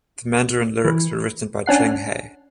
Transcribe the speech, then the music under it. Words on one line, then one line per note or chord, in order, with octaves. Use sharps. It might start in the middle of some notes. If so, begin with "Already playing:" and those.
The Mandarin lyrics were written by Cheng He.
E3
C#4 D4 F#5 C7